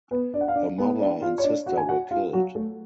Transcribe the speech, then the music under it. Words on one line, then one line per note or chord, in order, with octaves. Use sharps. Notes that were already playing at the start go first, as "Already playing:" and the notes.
Her mother and sister were killed.
B3 B4
D4 D5
F#5
F5
D4 D5
B3 B4
D4 D5
F4 F5
C#5
D4 D5
F#4 F#5
G#5
F#4 F#5
F4 F5
F#3 F#4
A3 A4